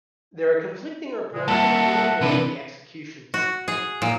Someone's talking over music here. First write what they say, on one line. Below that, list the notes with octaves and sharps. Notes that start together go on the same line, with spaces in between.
There are conflicting reports of who ordered the executions.
A#2 C#3 G#3
G3 A#3 A#4 E5 F#5 A5
C3 E3 D4 B4
F#4
G#4
A#2